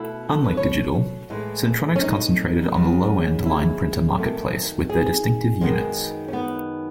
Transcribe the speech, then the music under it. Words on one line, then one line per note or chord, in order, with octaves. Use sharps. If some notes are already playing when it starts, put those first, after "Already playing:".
Unlike Digital, Centronics concentrated on the low-end line printer marketplace with their distinctive units.
Already playing: B2 A3 E4
A4
B4
C#5
A2 E3 G#3
C#4
D#4
C#3 G#3 B3
E4
F#2 D#3 A3
G#4
F#2 D#3 G#3 B3
C#4
B3